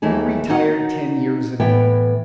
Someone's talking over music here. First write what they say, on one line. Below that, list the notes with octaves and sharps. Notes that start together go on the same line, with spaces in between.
You retired ten years ago.
D#2 E3 A3 D#4 G#4
D#4 F#4 C#5 F#5
A2 E3 B3 G5